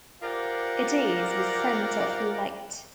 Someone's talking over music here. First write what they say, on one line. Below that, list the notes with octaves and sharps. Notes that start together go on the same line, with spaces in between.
It is the centre of light.
F4 G4 A#4 C5 D5 F#5